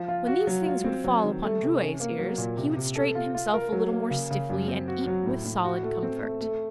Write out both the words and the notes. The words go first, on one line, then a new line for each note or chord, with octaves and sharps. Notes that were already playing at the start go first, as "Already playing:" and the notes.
When these things would fall upon Drouet's ears, he would straighten himself a little more stiffly and eat with solid comfort.
Already playing: F3
F4
F#4
F#3
F4
C4
F#3
D#3
A3
C3
C#4
A#3
F#3
A#2
C3
C3
A4
F4
F4
A#4
F#3
A#3
C#3
C#3
F#2
C4
F#4
F#3
A2
A2
F#4
A3
C4
A3
A3